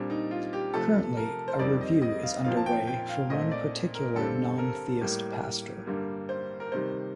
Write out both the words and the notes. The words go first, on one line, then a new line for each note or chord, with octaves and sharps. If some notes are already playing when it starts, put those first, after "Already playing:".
Currently, a review is underway for one particular non-theist pastor.
Already playing: A#2 G3 C4 D4
D#4
F4
G4
C3 F3 A3 A4
A#4
C5
F2 D#3 G3 C4 D5
D#5
D#5
F5
A#2 F3 C4 F5
A5
G5
G5
F5
A#2 A3 C4 D#5
D5
A#4
G2 D3 G3 C4 A4
A#4
A2 G3 A#3
G2 D3 G3 A#3
C5
A#4
C3 D#3 G3 C5